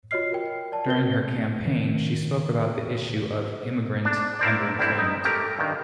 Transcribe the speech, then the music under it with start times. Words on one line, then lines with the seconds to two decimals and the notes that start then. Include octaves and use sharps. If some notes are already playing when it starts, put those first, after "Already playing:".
During her campaign she spoke about the issue of immigrant underemployment.
0.11 F4 F#4 C#5 D#5 F6 C7
0.32 A#4 G5
0.72 D5 A5
0.86 F#4 A#4 B4 G6 G7
1.65 D#3
4.05 D4
4.39 E4 A#4 C5 D5
4.79 D3 G3 C4 E4
4.98 D#4
5.25 A3 G4 A#4
5.59 G2 D#3